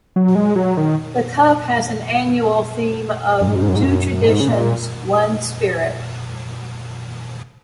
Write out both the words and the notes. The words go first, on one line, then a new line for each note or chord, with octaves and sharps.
The cup has an annual theme of 'Two Traditions, One Spirit.
F#3
G#3
F#3
D#3
F#2
G#2
F#2
G#2
F#2
G#2
F#2
F#2
G#2
C#3
A#2